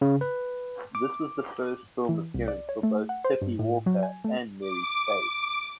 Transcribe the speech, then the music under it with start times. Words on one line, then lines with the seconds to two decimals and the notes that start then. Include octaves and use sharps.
This was the first film appearance for both Tippy Walker and Merrie Spaeth.
0.01 C#3
0.21 B4
0.95 D6
2.09 E3
2.34 C2
2.48 D5
2.69 C#5
2.83 A3
3.09 F#5
3.24 C5
3.41 G2
3.59 A2
3.86 F#3
4.03 G#5
4.24 A3
4.61 D6